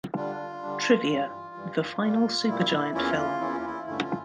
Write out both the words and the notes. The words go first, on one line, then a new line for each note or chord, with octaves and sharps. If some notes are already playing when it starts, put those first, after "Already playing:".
Trivia: The final Super Giant film.
D3 G3 D4 F4
D3 G3 D4
G2 E3 G3
G2 E3 G3
A#2 G3 A#3 F4
A#2 G3 A#3 E4
E2 E3 A#3 C#4 E4 F4
E2 E3 A#3 C#4 E4
F4
E4
G2 D3 A3 C#4 E4
F4